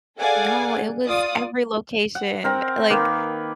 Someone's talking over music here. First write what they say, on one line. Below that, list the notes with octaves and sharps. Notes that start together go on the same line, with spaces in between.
No, it was every location, like
G#4 A4 D5 F5 F#5 G#5
F4 D5 D#6
F#5
C4 A#4
D#3 A#3 B4